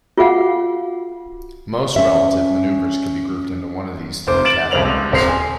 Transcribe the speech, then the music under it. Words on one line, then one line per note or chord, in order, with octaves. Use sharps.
Most relative maneuvers can be grouped into one of these three categories.
F4 F#4 G#4 F5 F#5
C#4 E5
F1 C5 D6
A6 D7 E7 F#7
C2 F2 C#3 C4 F7 F#7
C#2
D#1 C4 C6 C7 F7
G#5